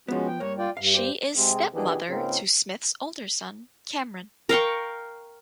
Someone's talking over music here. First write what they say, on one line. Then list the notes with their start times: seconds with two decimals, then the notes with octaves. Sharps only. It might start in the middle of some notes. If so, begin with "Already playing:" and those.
She is stepmother to Smith's older son, Cameron.
0.08 F3 G#3 B3 C#4 F#4
0.27 G5
0.40 G2 A#3 C#5
0.59 F4 D5 G5
0.77 G2 F5
0.94 G4 C5
1.36 C3 G#3 C4
1.73 D#2 B2 E3 D4 G4 G#4
2.09 C#2 G#2 C#3 A#3 C4 A#4
4.49 A#4 F5 G5 C#6